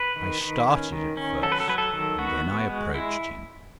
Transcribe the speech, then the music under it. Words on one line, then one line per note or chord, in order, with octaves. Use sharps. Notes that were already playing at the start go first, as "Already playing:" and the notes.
I started at first, and then I approached him.
Already playing: B4
D#3
D#3
C#4
D#3
C#4
F#3 A4
B4
A4
F#3 B4
A4
D#3
B3 F#4
B3
G#3
G#3 E4